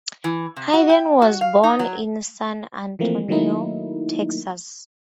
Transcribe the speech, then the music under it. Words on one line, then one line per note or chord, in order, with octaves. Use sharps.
Hayden was born in San Antonio, Texas.
E3
C3
F#4
G5
F#4
F5
D#4
F#3
E3 F3 A3 A#3 C4
D#3 F#3 A3 A#3 D#4 E4